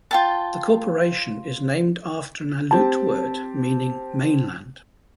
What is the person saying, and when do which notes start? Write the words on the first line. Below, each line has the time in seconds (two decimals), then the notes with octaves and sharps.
The corporation is named after an Aleut word meaning "mainland".
0.11 F4 G5 A5
2.71 C4 G4 A5